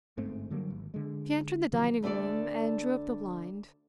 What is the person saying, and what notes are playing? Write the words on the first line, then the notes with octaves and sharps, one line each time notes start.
She entered the dining-room and drew up the blind.
G1 G#2 A3 C4
D3 F#3 G3 A#3
G#1
D3 G#3
C3 D#3 F3 F#3
D2 A3 D4 A4 D5